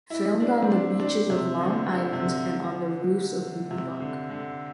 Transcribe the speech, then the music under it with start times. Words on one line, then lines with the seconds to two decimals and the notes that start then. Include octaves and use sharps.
Filmed on the beaches of Long Island, and on the roofs of New York.
0.10 E4
0.40 D4
0.63 C4
0.70 D4
1.00 D4
1.30 C3
1.61 D3
1.90 D3
2.13 C3
2.20 D3
3.71 C3
4.00 D3
4.30 D3